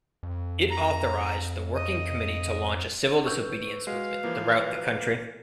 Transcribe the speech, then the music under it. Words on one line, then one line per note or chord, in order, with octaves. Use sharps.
It authorised the Working Committee to launch a civil disobedience movement throughout the country.
F2
A#5
D#5
B4 C#6 E6 G6
G#3 F#4 F5
E3 F3 A#3